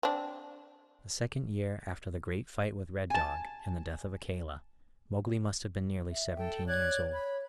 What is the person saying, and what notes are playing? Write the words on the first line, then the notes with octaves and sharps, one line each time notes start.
The second year after the great fight with Red Dog and the death of Akela, Mowgli must have been nearly seventeen years old.
C4 D4
G#5 A5
E5
A4 G5
C#5 D5 F#6 G#6
B5